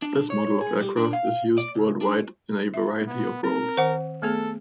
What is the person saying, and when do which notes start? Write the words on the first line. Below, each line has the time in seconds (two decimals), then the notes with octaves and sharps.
This model of aircraft is used worldwide in a variety of roles.
0.02 D4
0.30 C#5
0.61 G#4
0.80 G3
0.97 D4
1.13 F5
1.58 D5
1.75 C#2
2.01 D4
2.74 E5
3.07 B3
3.44 C4 A#4
3.77 D#3 C5 F#5
4.22 A3 B3 G#4 A4